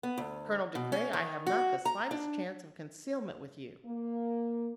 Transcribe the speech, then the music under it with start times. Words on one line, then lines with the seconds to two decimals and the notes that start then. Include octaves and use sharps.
Colonel De Craye, I have not the slightest chance of concealment with you.
0.03 B3
0.18 D2
0.75 B2
0.92 C#4
1.13 D#3
1.47 F#4
1.85 A#5
2.11 D4
3.86 A#3